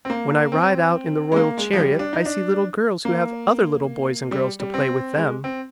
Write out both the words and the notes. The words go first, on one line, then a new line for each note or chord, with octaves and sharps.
When I ride out in the royal chariot I see little girls who have other little boys and girls to play with them.
C4
A#3
C4
G#3
A#3
G#3
F3
G3
D4
D#4
D4
A#3
G3
G3
C4
G#3
C4